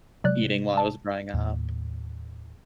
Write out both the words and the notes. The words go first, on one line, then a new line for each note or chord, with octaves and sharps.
eating while I was growing up."
C3 F#3 G#3 D5 F#6
A5
D#2 A2